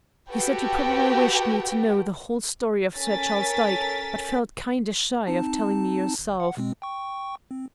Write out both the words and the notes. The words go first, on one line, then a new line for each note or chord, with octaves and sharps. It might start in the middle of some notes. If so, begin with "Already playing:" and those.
He said you probably wished me to know the whole story of Sir Charles Dyke, but felt kinder shy of telling me yourself.
F#4 G4 A4 B4 F#5 G5
C#4 A4 A#4 A6 B6
C4 D#4 A5
G1
F#5
B2 G#3 C4
G5 C#6
C4